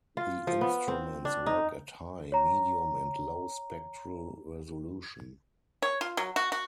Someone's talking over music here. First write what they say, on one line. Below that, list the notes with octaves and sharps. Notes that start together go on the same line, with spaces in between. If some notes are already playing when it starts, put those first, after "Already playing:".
The instruments work at high, medium and low spectral resolution.
F4
F3
B3
C4
D4
D#4
C#5 A#5
C#5
F4
F#3
F#4
F#4